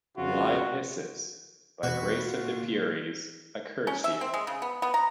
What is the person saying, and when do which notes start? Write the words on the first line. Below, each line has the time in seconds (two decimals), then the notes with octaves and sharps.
Lyde hisses, by grace of the Furies, I curse you!
0.17 F2 C#3 F4 F#4
1.83 E2 B2 C4 F#4 B4
2.21 A#2 F4
3.87 C#4
4.04 E5
4.21 C4
4.34 G#3
4.47 C#3
4.62 B3
4.82 B3
4.94 A#5